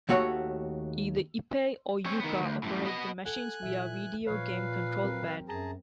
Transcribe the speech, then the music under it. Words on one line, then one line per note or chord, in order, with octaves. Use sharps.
Either Ippei or Yuka operate the machines via videogame control pad.
D#2 A3 F#4 C#5 F#5
C4 C#5
D#3 B3
D2
F#2 A2
B3 D#5
A4 F#5 G#5 F#6
A#2 E3 E5
A#2 F3 B4 C#5 F5
F#3 C4 A#4
F#2 G#4 A5 A#5